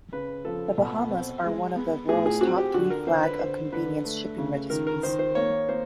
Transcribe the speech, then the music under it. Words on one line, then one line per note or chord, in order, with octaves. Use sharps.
The Bahamas are one of the world's top three flag of convenience shipping registries.
C#3 B4
F3 A4
B2
C4
G#3
B3
A2 G#4
G#4
C4 F#4
G4
D3 F#4
A#4
D3 C5
B4
D3 C5
D3 B4
A3
C#3
D#3 A#4
A#4
D#3 C5
C5
A#3 C#5
A#3 C5